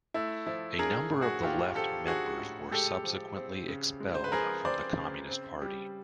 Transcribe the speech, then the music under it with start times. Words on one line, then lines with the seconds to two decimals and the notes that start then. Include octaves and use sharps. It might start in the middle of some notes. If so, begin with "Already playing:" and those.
A number of the Left members were subsequently expelled from the Communist Party.
0.14 A3 E4
0.47 F3 E4
0.79 D4 G#4 A#4
1.10 A2
1.21 F#4 G#4
1.43 A3 F4 G4
1.75 F3 G4 A4
2.07 D4 F#4 G#4
2.39 A2
2.71 G#3 G4 A4
3.04 F3
3.36 C4
3.68 C#3
4.00 G#3
4.15 C5
4.24 B4
4.32 F3 G#4 A#4
4.65 C4 C5 D5
4.97 C#3
5.29 C4
5.62 G3